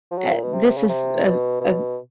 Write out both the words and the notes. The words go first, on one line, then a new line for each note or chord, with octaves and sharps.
uh, this is a a
F3
F#3
A#2
B2
C3
C#3
C3
B2
B2